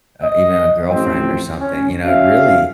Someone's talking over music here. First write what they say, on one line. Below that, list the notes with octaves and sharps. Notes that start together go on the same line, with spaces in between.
uh even a girlfriend or something, you know, it really,
D#5
A1 F3 C4
C#4
C#4 F#4 E5 F5